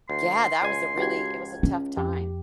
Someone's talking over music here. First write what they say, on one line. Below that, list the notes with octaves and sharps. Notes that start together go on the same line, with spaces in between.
Yeah, that was a really it was a tough time.
D2 C6
C#2 G#5
C#2 F#4 G4 G#6
C#4
F2 G4